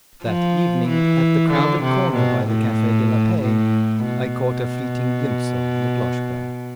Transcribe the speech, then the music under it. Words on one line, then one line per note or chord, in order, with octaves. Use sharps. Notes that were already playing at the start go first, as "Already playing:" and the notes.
That evening, at the crowded corner by the Cafe de la Paix, I caught a fleeting glimpse of Laploshka.
F3
E3
D3
C3
B2
A2
A2
B2